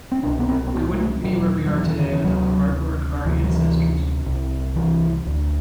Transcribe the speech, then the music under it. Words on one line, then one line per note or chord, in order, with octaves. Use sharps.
We wouldn't be where we are today without the hard work of our ancestors.
C4
C2 B2 D4
B3
C4
C4
B3
G3
A3
E2 B2 F#3
F#3
E3
E3
D3
E3
D2 C3 F#3
D2 C3 E3
F#3
E3
C2 C3
E3
D2 D3